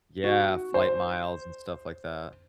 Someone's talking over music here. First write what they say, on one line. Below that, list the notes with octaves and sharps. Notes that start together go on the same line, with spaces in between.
Yeah, flight miles and stuff like that.
F#4
C5